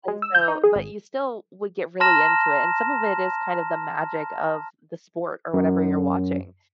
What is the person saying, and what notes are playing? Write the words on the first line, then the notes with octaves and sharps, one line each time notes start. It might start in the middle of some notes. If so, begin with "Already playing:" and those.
and so but you still would get really into it, and some of it is kind of the magic of the sport or whatever you're watching,
G#3
E6
G6
D#4
G#4
G#1
A5 A#5 C6 F6 A#6 E7
F#2